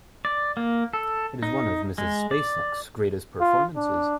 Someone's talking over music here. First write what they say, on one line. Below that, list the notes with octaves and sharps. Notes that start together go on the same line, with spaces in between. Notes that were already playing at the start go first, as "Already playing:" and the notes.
It is one of Ms. Spacek's greatest performances.
D5
A#3
A4
D#4
G#3
D5
F4
D4